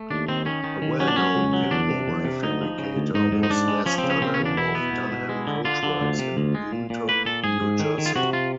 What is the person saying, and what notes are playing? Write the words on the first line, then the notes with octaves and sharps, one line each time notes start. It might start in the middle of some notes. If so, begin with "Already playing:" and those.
A well-known pimpmobile fabricator was Les Dunham of Dunham Coachworks in Boonton, New Jersey.
Already playing: A3
D#2 D4
D#3 C4
D#3 C#4
D#3
D#3
F#3 C#4
D4
F#3 C#4
C#2
F#3
E2 D4
C3
E2
C3
D2 D#4
F3
C#3
D2
G#2 D#4
G#2
D#4
G#2 D4
G#3
F3 C#4
C4
C#3
C#4
C#3 C4
C#4
E2
D4
B2 E4
B3
B2
B2
G#3
D3
D3 F4
D3
D2
C3
D2
G#3
A#2
A#2
A#3 B4
A#2 A4
G#2 G#4
G#2
D#3
D#3
F4
C3 F#4
F4